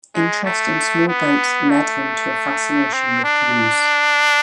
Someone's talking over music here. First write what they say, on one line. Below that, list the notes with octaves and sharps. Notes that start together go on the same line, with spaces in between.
Interest in small boats led him to a fascination with canoes.
G#3
A3
B3
A3
C4
D4